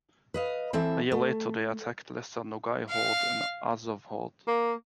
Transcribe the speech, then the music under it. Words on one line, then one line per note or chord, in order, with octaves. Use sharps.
A year later they attacked Lesser Nogai Horde and Azov Horde.
B4 D#5 F5
E3 C4 A4 E5
A3
F5
A#3